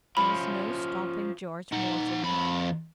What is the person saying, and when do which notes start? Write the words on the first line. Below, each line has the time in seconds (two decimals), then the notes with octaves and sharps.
There was no stopping George Morton.
0.17 F3 C#4 B5
1.73 D#4 F#5
2.23 F2 B5